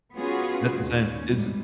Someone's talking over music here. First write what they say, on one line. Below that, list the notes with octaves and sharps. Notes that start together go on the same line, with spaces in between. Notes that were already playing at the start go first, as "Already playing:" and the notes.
That's insane. Is i
B3 C#4 F4 F#4 G#4
D#2 C#4
G#2 G3